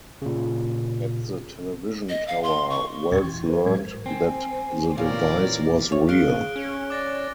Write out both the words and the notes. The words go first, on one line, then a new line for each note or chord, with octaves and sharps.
At the television tower, Wells learned that the device was real.
A#2 C#3
D#5
F5
C6
C#6
E2 A#2 G5 C#6 G#6 A6
E3
A#4 C5
A2 F#3 G#3 A#4 G#6
C4 G#5
A#2 E3 A#4 C#5 D5 F5
C#5
G#4 F5 F#6 D7 G7
C#4
D5 D6 A6 A#6